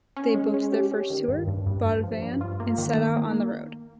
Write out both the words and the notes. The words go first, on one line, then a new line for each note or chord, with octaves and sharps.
They booked their first tour, bought a van, and set out on the road.
C#4
G#3
C#4
G4
C#4
D#3
G2
G2
G2
G2
F3
G2
F4
A#3
D#3
A#3
A#3